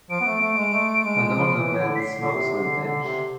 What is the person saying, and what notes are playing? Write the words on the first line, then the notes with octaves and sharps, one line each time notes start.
An older man smokes on a bench.
F3 D7
B3
A3
A3
G#3
A3
G#3
F3
E3
D3
B6
C7
D3
C3
D3
D3
C3